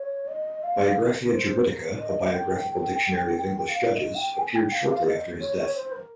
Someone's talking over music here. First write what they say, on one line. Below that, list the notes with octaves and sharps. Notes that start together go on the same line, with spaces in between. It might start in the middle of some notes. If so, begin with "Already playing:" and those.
"Biographia Juridica, a Biographical Dictionary of English Judges", appeared shortly after his death.
Already playing: C#5
D#5
F5
C5
A#4
D#5
G5
F5
D#5
G5
G#5
G5
F5
F5
D#5
C#5
C#5
C5
A#4